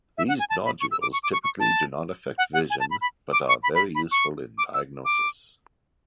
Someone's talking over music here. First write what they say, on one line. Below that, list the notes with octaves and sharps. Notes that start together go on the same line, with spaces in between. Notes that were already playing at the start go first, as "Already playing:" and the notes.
These nodules typically do not affect vision, but are very useful in diagnosis.
E5
F#5
G#5
A5
B5
C#6
E6
D6
C#6
D6
C#6
C#6
A5
F#5
F#5
G#5
A5
B5
B5
D6
C#6
B5
B5
B5
C#6
D6
E6
D6